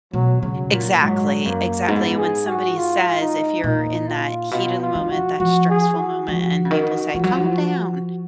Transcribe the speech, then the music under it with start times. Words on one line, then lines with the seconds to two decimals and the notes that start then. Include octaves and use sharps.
Exactly, exactly, and when somebody says if you're in that heat of the moment, that stressful moment, and people say, "Calm down,"
0.13 B2 F#3
0.42 C#3 F#3
0.72 A#2 F#3
1.01 G#2 F#3
1.46 F#2 A#3
1.88 G#2 B3
2.17 G#4
2.47 F#4
2.77 F4
3.21 D#4
3.64 A#2 D#4
4.08 F4
4.51 B2 F4
4.81 F4
4.95 F3
5.11 F#4
5.39 F3 F#4
5.69 G#4
5.98 F#4
6.28 F3
6.65 C#3
6.71 D#3
7.15 F3
7.24 F#3
7.32 F3